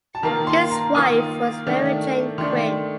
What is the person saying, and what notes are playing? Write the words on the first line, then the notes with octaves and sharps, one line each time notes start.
His wife was Mary Jane Quinn.
A5
D#3 A#3 F4 A#5
C6
A#5
D#3 A#3 F4 D#6
D#3 A3 D4
D#3 A3 D4 C6